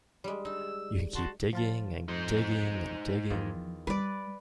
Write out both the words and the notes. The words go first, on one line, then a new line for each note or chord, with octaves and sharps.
You can keep digging and digging and digging.
G3 G#3
D#4 E6
F#4 A5 C6
F3 F4 A5
F2 D#4 C5
E2 D#3 F3 F4
G3 B4 D5